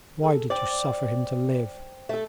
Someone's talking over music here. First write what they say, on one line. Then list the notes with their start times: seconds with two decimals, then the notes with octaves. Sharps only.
"Why did you suffer him to live?"
0.23 G#4 A4
0.50 C5 D5 G5
2.09 A3 A4